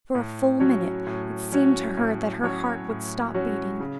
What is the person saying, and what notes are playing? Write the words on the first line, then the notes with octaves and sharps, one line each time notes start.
For a full minute it seemed to her that her heart would stop beating.
A2
F#3 C#4 F#4 C#5
A2
F#3 C#4 F#4 C#5
A2
F#3 C#4 F#4 C#5
A2
F#3 C#4 F#4 C#5
C#3